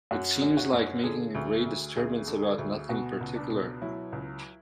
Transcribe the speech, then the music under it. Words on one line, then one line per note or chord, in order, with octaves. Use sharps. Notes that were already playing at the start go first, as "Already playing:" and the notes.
It seems like making a great disturbance about nothing particular.
F#2 F#4
F#2
F#4
F#2
D3 G#4
D2
D2
D2 G#4
D3
G#4
D2
B2 F#4
C#2
D4
B2
F#3 E4
C#2